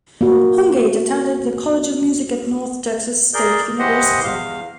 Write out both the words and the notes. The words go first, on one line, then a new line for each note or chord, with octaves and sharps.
Hungate attended the College of Music at North Texas State University.
A#3 F#4
G#4 A#4 D5 G6
E3 G4 C5 D#5 F#5
E2 F5